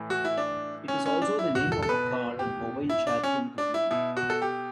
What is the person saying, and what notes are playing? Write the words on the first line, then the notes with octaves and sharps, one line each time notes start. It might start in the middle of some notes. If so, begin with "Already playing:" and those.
It is also the name of a car and mobile chatroom community.
Already playing: A2 E3
F#4
E4
D4
C#4
C#4
D4
E4
F#4
A4
A4
B2 B4
G4
E4
D4
C#4
D4
E4
B2 E4
F#4
A4
G4